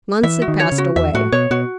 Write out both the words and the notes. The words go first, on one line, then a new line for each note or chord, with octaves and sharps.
Months had passed away.
E3 E5
F#4
D#3
C#5
C#3
F#4
E2 E5
A2 F#4
B2 C#5
B2 F#4